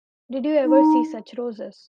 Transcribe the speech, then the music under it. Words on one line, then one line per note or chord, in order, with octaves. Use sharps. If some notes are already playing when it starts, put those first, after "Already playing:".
Did you ever see such roses?
D#4